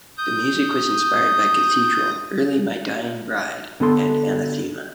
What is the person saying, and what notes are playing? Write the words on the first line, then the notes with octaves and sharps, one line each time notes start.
The music was inspired by Cathedral, early My Dying Bride and Anathema.
D#6 G6
D3 B3 A4 C6